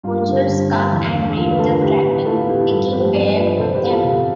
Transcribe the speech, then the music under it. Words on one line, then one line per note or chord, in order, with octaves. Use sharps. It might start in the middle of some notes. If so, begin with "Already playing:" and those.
Soldiers come and raid the tavern, taking Bear with them.
G2 F4
D3 G3
G2
D3 G3
E2
D3 A3
E2 F4
B4
D3 A3 F4 A4
A2 G4 B4
E3 B3
A2 F4 A4
E3 B3 E4 G4
G2 F4 A4
F3 B3 G4 B4
G2 B4 D5
F3 B3 B4 D5
C3 A4 C5
G4 B4
E3 B3
F4 A4
C3